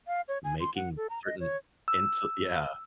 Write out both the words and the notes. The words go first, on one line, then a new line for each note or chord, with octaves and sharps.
making certain into yeah.
F5
C#5
G#5
C6
F#5
A4
A#5
D#5
C#5
E6